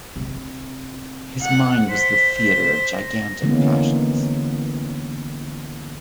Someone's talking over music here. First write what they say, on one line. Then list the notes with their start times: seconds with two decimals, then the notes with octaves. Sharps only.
His mind was the theatre of gigantic passions.
0.16 C3
1.42 F#5
1.89 C5 B6
2.94 A#6
3.42 D3 E3 G#3 A#3 B3 C#4